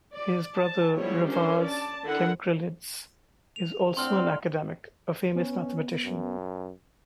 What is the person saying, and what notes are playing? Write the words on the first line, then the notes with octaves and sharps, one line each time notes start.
His brother Revaz Gamkrelidze is also an Academic, a famous mathematician.
D5
A5
F3 G3 B3 E4 G#4 C#5
C#4 D4 A#4 C5
D5 A5
D3 E4 A#4 F#5
F7
A2 D3 C4 C6 F6
B3 C#4
F#2